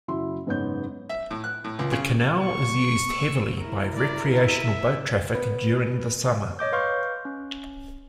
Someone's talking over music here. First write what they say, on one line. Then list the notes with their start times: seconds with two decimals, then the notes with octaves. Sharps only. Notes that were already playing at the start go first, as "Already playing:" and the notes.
The canal is used heavily by recreational boat traffic during the summer.
0.08 F#1 F#3 E4 E5 C6
0.46 F#1 G#2 B3 C#5 G6
1.09 E5
1.31 A2
1.44 F#6
1.64 A2
1.79 C#2
1.92 C#3
2.42 C#6
3.10 E6
3.61 E4 A#4
3.96 D5
4.40 E5
5.35 B3
6.59 C#5 D#5 D6 G6
6.72 B4 F5 C6 C#6 F6 G6
7.25 C#4